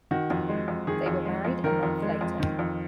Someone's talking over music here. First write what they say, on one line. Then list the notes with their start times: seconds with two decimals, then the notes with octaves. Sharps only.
They were married a month later.
0.11 D#3 F#4
0.30 F2
0.49 G#3
0.68 F2
0.87 D#3 G#4
1.06 F2
1.25 G#3
1.45 F2
1.64 D#3 A#4
1.83 F2
2.02 G#3
2.21 F2
2.40 D#3
2.59 F2